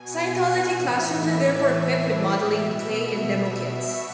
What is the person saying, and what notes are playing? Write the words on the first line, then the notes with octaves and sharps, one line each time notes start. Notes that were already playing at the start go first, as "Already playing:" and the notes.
Scientology classrooms are therefore equipped with modelling clay and demo kits.
Already playing: B2 G#5
F#5
A2 E3 E5
D5
A2 E3 E5
D5
B2 E5
B2 E5
C#6